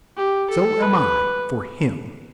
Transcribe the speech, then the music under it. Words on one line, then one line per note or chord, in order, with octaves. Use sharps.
So am I--for him.
G4
A4
B4